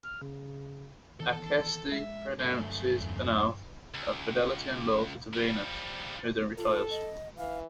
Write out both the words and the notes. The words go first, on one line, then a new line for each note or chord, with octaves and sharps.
Aceste pronounces an oath of fidelity and loyalty to Venus, who then retires.
F6
C#3
D#3 E3 B3 A4 A5
G#3 E5
G1 F#2 A3
E2
C#2
F3 G3
F4 A4
D#5
E3 F5